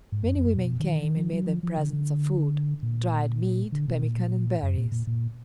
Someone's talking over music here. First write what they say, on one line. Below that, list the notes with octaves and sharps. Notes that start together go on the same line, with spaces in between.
Many women came and made them presents of food, dried meat, pemican, and berries.
G#2
F#2
F2
F#2
B2
D#3
D#3
F3
F#3
F3
F3
D3
D3
A#2
D3
B2
A#2
F#2
A#2
A#2
A#2